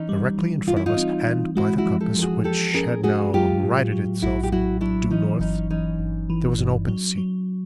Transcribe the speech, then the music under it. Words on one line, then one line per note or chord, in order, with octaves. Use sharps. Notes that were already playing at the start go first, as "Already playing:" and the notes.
Directly in front of us, and by the compass, which had now righted itself, due north, there was an open sea.
Already playing: E3 C#4 D#4
G3
E3
E3 F4
E4
D#4 F4
C4
E3
G#3 E4 F#4
E4 F#4
F3
G4 A4
F3 A4
F#4 G#4
F3 G4 A4
C#4 G#4 A#4
G#3 F#4 G#4
F#3 F4 G4
A2
F#3
A#1 E4 F#4
G4
F#3 E4 F#4
F#3 D4 E4
E3 C#4 D#4
G1 C#4 D#4
E3 C#4 D#4
G1
E3
G2
F#3
F#3